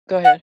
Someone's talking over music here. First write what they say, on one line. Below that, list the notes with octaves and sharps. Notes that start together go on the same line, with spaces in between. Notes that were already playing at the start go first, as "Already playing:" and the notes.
go ahead.
F#5